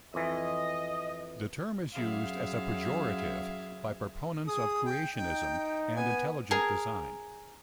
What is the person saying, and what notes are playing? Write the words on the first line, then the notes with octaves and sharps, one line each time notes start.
The term is used as a pejorative by proponents of creationism and intelligent design.
F2 E3 D#5
F#2 G#4 E5 F5
G#4 D#6
G5
D#4 G5
B3 G#5
G#4 A#4